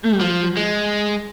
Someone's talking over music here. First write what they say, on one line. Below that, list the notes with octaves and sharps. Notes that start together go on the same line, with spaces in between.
Mm, mhm.
F3
G#3